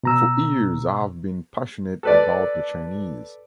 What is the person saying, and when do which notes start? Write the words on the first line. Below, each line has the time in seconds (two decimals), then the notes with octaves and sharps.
For years I have been passionate about the Chinese.
0.03 B2 A#5 E6
2.03 A4 B4 D5